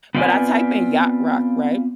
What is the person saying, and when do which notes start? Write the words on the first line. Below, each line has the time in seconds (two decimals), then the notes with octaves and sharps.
but I type in Yacht Rock, right?
0.15 B3 C4 F4 B4 D5 G#5